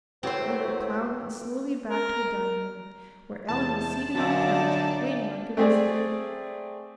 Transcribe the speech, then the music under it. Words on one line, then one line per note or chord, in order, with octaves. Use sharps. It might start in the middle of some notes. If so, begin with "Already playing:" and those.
Julia Cloud went slowly back to the dining-room, where Ellen was seated on the couch, waiting like a visitor.
A2 C3 F#3 C4 B4 C5
A#4
E2 C3 A5
F#2 A#2 D3 F#3 D#4 D5
A3 C4 G#4 D5